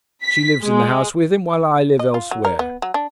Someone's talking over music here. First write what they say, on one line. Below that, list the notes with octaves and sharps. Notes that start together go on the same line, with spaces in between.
She lives in the house with him, while I live elsewhere.
B6
G#3
D#5
F4
F#3
A#4
B3
F#3
D4